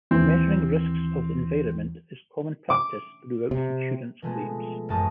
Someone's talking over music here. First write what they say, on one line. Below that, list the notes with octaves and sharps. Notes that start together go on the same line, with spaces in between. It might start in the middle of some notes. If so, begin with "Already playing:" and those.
Measuring risks of the environment is common practice throughout insurance claims.
D#2 E3 C4
D6
C3
B2 F3 G#3 A3 B3 G#4
A1 F#2 G#3 A5 C#6 D#6